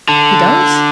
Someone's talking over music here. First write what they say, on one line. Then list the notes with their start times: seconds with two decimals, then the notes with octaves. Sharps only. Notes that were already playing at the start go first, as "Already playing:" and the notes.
"He does?"
0.09 D3